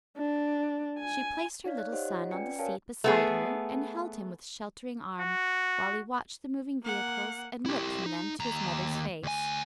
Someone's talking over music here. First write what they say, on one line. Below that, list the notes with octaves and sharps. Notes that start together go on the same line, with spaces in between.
She placed her little son on the seat beside her and held him with sheltering arm, while he watched the moving vehicles and looked from them to his mother's face.
D4
G#5
D#4 C#5 D5 F5 B6
F#6
D#4 G4 C5 C#5 D#5 F#5
F4 F#5
C#4 B4 D5 G5 G#5 C#7
F#4 A#4 C#5 F5 G#5 A5
A3 B3 G#4
F#4
A#3 F#5
E4 G4
D#4
D#2 A#5
D2 G#5